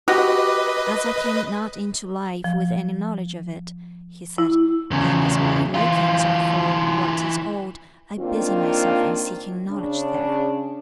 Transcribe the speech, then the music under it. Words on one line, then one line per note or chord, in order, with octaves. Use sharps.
"As I came not into life with any knowledge of it," he said, "and as my likings are for what is old, I busy myself in seeking knowledge there."
F#4 G4 B4 D#5
F3
E4
E2 C#3
E3 F4
D#3 A#3 C4 D4 F4
C#3 D4